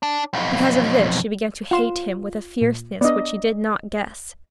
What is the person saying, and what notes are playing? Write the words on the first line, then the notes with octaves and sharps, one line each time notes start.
Because of this she began to hate him with a fierceness which he did not guess.
D4
B1 F2
F4 F#5 C6 E7
A#2
B3 D4 D5 D#5